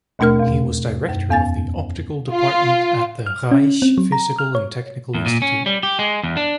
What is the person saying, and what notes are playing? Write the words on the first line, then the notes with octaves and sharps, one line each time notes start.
He was director of the optical department at the Reich Physical and Technical Institute.
D#2 B2 A3 D4 A#4 F6
E2 B2
F#2
E2 B3 G#5 A6
F4
F6
C#4
C4
F#3
A#5
F6
C#5
E2
A#2
C#4
G3
G4
G#3
E2
D4